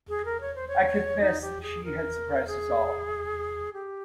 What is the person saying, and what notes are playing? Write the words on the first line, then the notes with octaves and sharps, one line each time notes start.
I confessed that she had surprised us all.
G#4
A#4
C#5
C5
C#5
D#4
G4
G#4
A#4
G#4
G4